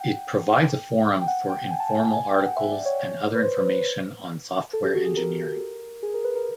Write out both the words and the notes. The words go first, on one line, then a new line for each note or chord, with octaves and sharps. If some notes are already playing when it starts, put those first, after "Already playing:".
It provides a forum for informal articles and other information on software engineering.
Already playing: F#5 G5
G5
F#5
G5
G#5
A5
G#5
G#5
G#5
G5
F#5
E5
D5
C#5
C#5
B4
C5
B4
A4
G4
F#4
G#4
A#4
G#4
A#4
B4
A#4